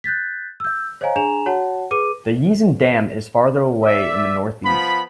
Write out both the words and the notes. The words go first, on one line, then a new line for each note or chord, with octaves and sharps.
The Yezin Dam is farther away in the north-east.
F#6 G6 A6 B6
E6 G6
C5 C#5 D#5 F5 G#5 A#5
D4 G#4 G#5 A#5 E7 F7
F#4 C#5 F#5 A5
G#4 B4 D6 D#7
D5 E5
F3 B3 B5